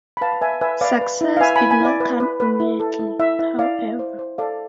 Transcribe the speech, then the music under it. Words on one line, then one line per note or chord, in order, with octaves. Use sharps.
Success did not come immediately, however.
B5
B4 F5 A5
B4 E5 G#5
B4 E5 G#5
B4 D5 F5
B4
E4
F5
B4 E5 G#5
E4 G#5 B5
G#5 B5
E4 D5
B4
B4
B4
E4
A4
E4
E4 E5
E4 E5
E4 D5 F5
E4
C5
C5
A4 D5 F5